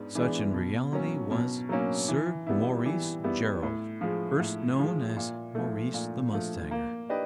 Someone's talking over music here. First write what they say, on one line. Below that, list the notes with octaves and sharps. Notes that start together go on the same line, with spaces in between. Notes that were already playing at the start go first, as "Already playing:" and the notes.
Such, in reality, was Sir Maurice Gerald--erst known as Maurice the mustanger!
Already playing: G#2 B3 D4
E3 G#3 B3 D4
B2
F#3 A#3 C#4
B2
F#3 A#3 C#4
E3
G3 B3 E4
E3
G3 B3 E4
A2
F3 G#3
A2
F3 G#3
A#2
F3 A3
A#2
F3 A3
A#3
D4 G4 B4 D#5